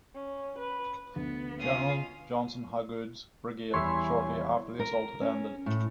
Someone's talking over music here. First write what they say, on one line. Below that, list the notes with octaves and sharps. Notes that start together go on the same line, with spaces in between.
General Johnson Hagood's brigade shortly after the assault had ended.
C#4
B4
D2 B3
B2 C#4 F4 F5 D#6
E2 G3 E4 C#5 E5 G#5 B5 C6
A#4
C#4
A2